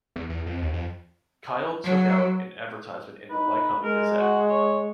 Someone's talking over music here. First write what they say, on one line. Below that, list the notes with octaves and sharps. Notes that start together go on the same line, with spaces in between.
Kyle took out an advertisement in the Lycoming Gazette.
E2
E2
F2
D#2
F2
F#3
D#4 B4
G#3 A#4
F#4
C#5